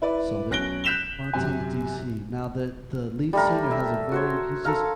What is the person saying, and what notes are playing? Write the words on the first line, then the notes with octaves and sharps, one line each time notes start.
so they're F Fontaines DC. Now, the the lead singer has a very he's just
E4 B4 D5
B1 C#4 F#6 A#6 D7 G7
F#6 G6 B6 E7 F7 G7
F#2 C3 G4 G#5
G3 A3 A#4
E5
F#4 C5 C#5
A4 A#4 F5